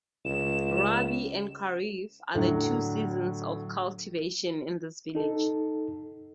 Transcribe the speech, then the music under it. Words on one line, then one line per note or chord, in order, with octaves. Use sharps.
Rabi and kharif are the two seasons of cultivation in this village.
C#2 E7
A2 D3 F#3
D#4 A4